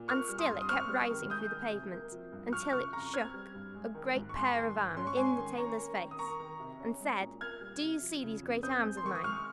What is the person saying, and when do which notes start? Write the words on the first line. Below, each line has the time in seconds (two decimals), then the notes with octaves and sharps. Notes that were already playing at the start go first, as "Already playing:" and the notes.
And still it kept rising through the pavement, until it shook a great pair of arms in the tailor's face, and said: "Do you see these great arms of mine?"
Already playing: A#2
0.08 A#3 C#6 F6
0.29 G3
0.39 C6 D#6
0.49 G2
0.62 D#6
0.69 C4 C#6 F6
0.89 G3
1.11 D#3
1.30 G#3 D#6 G6
1.50 D#3
1.71 C3
1.92 A#3
2.12 F3
2.32 G2
2.52 F3 C#6 F6
2.73 C#3 C#6 F6
2.93 F2 A#5 C#6
3.13 C4 F6 G#6
3.34 G3
3.55 G2
3.74 G#3
3.95 D#3
4.15 G#2
4.29 C#6
4.36 G#3 G#5 C6
4.56 D#3
4.76 G#2
4.96 C#4 C6
5.07 C#6
5.17 G#3 G#5 C6
5.37 D#3
5.58 C#4 A#5 C#6
5.78 A#3
5.99 D#3
6.11 D#6
6.19 A#3 A#5 C#6
6.40 D#3
6.60 C3
6.80 C#4
7.00 G#3
7.21 A#2
7.41 A#3 F6 G#6
7.61 G3
7.82 C3
8.02 F3
8.23 C#3
8.43 F2
8.63 C4 D#6 G6
8.83 G#3
8.97 C6
9.03 D#3 C#6
9.15 D#6
9.24 G#3 C#6 F6